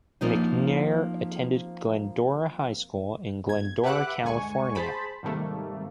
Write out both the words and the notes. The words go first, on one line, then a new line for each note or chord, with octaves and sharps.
McNair attended Glendora High School in Glendora, California.
F3 A#3 C4 D#4
G1 G#6
G4 B4 E5 F#5 D6 F#6
G1 D2 D3 G#3 G#5 C#6
G#4 C5 A5 B5
G#2 C3 D#3 G3 A3 A#3